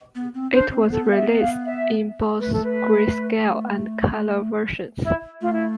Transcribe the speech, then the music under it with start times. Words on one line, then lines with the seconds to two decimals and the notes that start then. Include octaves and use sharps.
It was released in both greyscale and color versions.
0.15 B3
0.34 C4
0.52 D4 C5
0.72 C4
0.84 A3
0.90 B3 A4
1.10 F5
1.15 E5
1.41 F5
1.66 E5
2.40 A3 B4
2.52 A4
2.64 B4
5.03 E4
5.41 A3 F4
5.51 E4